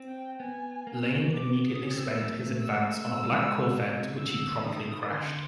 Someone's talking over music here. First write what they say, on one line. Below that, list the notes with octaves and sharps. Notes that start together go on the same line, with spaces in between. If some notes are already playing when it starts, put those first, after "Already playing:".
Lane immediately spent his advance on a black Corvette which he promptly crashed.
Already playing: C4
G5
B3 G#5
A#3
B3 D6
D#6
C#4
C4 E6
B3
A#3
A3
E6
E6
G#3
A#2
B2
C3
C#3
D3 E6
D3
D#3 D#6
D3 C6